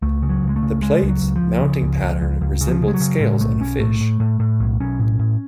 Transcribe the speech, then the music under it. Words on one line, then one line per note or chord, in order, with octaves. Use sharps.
The plates mounting pattern resembled scales on a fish.
C#2 A3
C#3
F#3
C#2
G#3
A3
C#3
C#3 G#3
C#2
F#3
C#2
F3
C#2
C#3
C#2
C#2
C#2
C#2
C#3
F3
C#3
G#3
F#3
C#3
A2 G#3
B1 A3
B1 C#4
A2 A3
A2
A2
A2
B1
B1 C#4
A2
A2